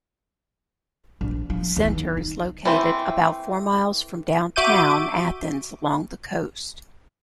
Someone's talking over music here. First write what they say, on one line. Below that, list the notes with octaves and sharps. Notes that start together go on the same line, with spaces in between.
The center is located about four miles from downtown Athens along the coast.
A#1
F3
E2
D#3
D#3
E3 A3 C4
F#4 E5 D6 G6 D#7